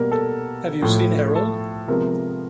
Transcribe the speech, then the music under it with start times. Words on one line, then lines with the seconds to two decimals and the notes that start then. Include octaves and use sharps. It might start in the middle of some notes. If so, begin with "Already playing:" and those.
Have you seen Harold?
Already playing: B2 G3 A#3 A#4
0.12 A4
0.82 A2 F3 A3
1.36 A4
1.88 C3 F3 G#3 B3 A#4